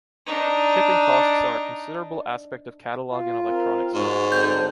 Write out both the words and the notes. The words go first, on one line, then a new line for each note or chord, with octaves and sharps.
Shipping costs are a considerable aspect of catalog and electronic sales.
D4 D#4
F4
C4 A#4
G#2 F#4 C#5
F#2 D3 C4 D4 G6